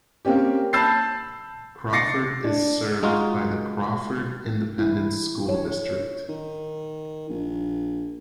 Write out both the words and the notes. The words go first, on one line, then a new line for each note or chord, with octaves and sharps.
Crawford is served by the Crawford Independent School District.
A#3 C4 C#4 G4
A5 B5 E6 G6 A6 C7
D6 A6 A#6 C7 C#7
D4
G#3 D#4 F4 F#4
E4
C#5
D#3
A#1